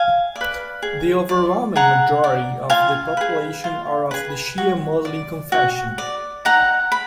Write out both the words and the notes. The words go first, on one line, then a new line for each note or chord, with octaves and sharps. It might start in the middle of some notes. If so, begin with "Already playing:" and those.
The overwhelming majority of the population are of the Shia Muslim confession.
Already playing: F5 G#5
D5
B4
G#4
D5
G#4 F#5 A#5
D5
F4 F5 G#5
G#4 B4
F4
G#4 B4
F#4
D5
F#4
D5
D#4 F#5 A#5
B5